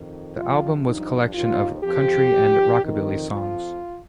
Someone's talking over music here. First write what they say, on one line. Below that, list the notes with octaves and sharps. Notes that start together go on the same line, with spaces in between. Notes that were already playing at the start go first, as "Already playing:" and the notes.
The album was collection of country and Rockabilly songs.
Already playing: F2 D#3
F2 C3 F3 F4
G2 F3 D#4
D#2 D#3 F4
F2 F3 G4
G2 F3
F2 D#3
F2 F3 F4